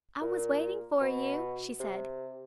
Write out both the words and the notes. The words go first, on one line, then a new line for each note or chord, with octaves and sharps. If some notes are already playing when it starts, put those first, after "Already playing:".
"I was waiting for you," she said.
A#2
B2
C3